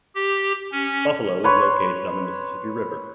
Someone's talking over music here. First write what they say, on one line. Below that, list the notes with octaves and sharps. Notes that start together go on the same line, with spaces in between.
Buffalo is located on the Mississippi River.
G4
C#4
B4 C#5 C6